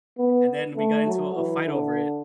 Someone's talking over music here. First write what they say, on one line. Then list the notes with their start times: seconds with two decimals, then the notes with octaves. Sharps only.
and then we got into a a fight over it,
0.18 B3
0.77 A3
1.07 F#3
1.36 E3
1.66 D3